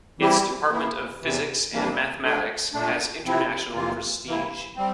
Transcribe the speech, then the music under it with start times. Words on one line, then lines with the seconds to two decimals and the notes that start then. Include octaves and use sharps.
Its departments of physics and mathematics has international prestige.
0.19 E3 G3 C4 E4 G4
0.70 E3 A#3 E4
1.21 E2 C3 E3
1.72 F2 E3 G3 A#3 D4
2.22 D3 A3 D4
2.73 A#2 A3 D4
3.24 C3 F3 C4 E4
3.74 F2 C3 E3 A#3 F4
4.25 C3 E3 A#3 E4
4.76 G3 C4